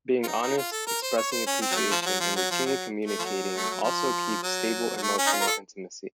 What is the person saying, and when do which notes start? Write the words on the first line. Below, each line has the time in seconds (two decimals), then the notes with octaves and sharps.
Being honest, expressing appreciation, and routinely communicating also keeps stable emotional intimacy.
0.23 F4
0.27 D#4
0.42 D#4
0.57 F4
0.72 A4
0.87 A#4
1.02 C5
1.17 C#5
1.31 C5
1.47 C#4
1.61 C4
1.71 F#3
1.76 A3
1.91 F3
2.02 F3
2.06 F#3
2.20 F3
2.36 F#3
2.51 F3
2.66 F#3
3.05 A3
3.19 F3
3.24 F#3
3.57 A3
3.70 F#3
3.83 F3
4.43 F#3
4.97 F#3
5.02 A3
5.18 C#4
5.27 D#4
5.33 F4
5.41 A#4
5.47 A4